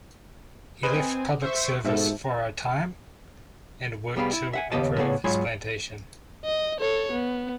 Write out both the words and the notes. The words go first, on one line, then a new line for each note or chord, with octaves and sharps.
He left public service for a time, and worked to improve his plantation.
C4 B4 D#5 G#5
C5 E5 C#6
G#2 B2 G3 C4 A4 E5
C2 G3 B3 G#4 F5 B5
E4
E5 F#5 G#5
D#2 C#3 B3 G4 D#5 A5
A2 C#3 B3 G#4 D5
G#2 F#3 G#3 F4 G#5 B5
D#5
A4 C#5
B3